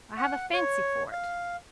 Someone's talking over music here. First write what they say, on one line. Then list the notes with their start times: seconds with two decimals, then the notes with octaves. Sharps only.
I have a fancy for it.
0.17 F#5
0.53 C#5
1.12 F5